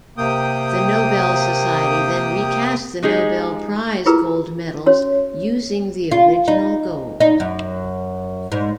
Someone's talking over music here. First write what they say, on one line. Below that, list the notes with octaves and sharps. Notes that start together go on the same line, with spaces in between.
The Nobel Society then re-cast the Nobel Prize gold medals, using the original gold.
C3 A#3 G5 D#6
G#3 D#4 G4 G#4
E4 F4 G4 G#4 A#4 B4
C#4 F#4 C#5 C6
F4
D#4
D#4
F#2
G#2